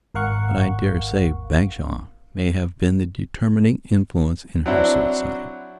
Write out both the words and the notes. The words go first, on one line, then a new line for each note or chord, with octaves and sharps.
But I dare say Bagshawe may have been the determining influence in her suicide.
G#1 A#4 F5 F#5 C#6
F#3 C4 D4 E4 F#4